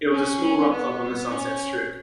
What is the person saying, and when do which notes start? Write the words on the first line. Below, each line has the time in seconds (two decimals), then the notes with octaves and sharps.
It was a small rock club on the Sunset Strip.
0.12 C#4
0.71 B3
1.31 C#4